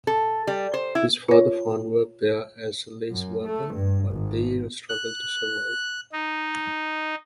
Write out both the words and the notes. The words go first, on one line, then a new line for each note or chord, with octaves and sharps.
His father found work there as a lace worker, but they struggled to survive.
A4
G3
C5
E4
F4 C#5
F#2
A3
G2
G#1
F#6
D#4